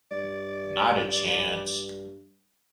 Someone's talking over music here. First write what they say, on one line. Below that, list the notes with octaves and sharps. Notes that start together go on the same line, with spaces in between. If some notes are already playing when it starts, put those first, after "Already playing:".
Not a chance.
G2 D5